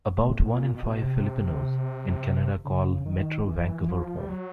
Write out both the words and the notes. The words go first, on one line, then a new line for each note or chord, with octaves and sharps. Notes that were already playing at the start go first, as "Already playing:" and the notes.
About one in five Filipinos in Canada call Metro Vancouver home.
A2
A#2
B2
C3
C#3
D#3
E3
E3
F3
G3
F#3